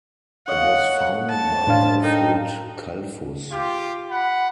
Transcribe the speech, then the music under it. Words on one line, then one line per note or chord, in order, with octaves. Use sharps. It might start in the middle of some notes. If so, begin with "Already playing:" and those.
It was founded by Alfred Kalfus.
C#5 D#5 F5 F#5
A5
A2 D4 C5 F5
D#4 A4 A#4 G5
F4 G4
F#5 B5